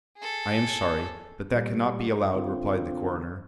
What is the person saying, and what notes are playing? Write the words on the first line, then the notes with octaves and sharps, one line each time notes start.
"I am sorry, but that cannot be allowed," replied the coroner.
G#4 A4
A#2 G3
D3 C4 F4